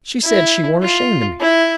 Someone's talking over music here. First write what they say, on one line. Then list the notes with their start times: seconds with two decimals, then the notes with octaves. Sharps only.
She said she warn't ashamed of me.
0.25 E4
0.82 F4
1.40 E4